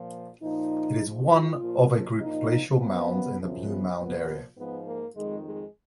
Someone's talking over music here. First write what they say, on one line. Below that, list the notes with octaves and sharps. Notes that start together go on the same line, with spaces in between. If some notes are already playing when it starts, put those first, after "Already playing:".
It is one of a group of glacial mounds in the Blue Mound area.
Already playing: A#2 F3
A#2 F3 D#4
G#2 F3
F4
A#2 F3
A#2 F3 D#4
F#2 F3 B3
F#2 C#3 F3
B3
A#2 F3 B3
G#2 F3 B3
A#3
F2 D#3 G#3
G#3